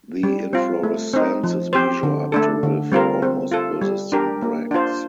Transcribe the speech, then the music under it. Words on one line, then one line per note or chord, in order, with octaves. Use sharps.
The inflorescences measure up to with almost persistent bracts.
G3
C4 F4
A3
C4 D#4
F3
C4 G4 C5
D3
A3 D4 A4
D3
G3 C4 F4 A#4
C4
F4 A4
G3
D4 G4 A#4
A#3
D4 F4 C5